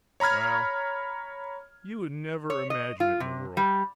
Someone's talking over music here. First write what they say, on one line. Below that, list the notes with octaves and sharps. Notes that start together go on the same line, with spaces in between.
Well, you would never imagine it in the world.
C#5 A#5 B5 F6 G#6
C#5
D#5
F4
C3
G3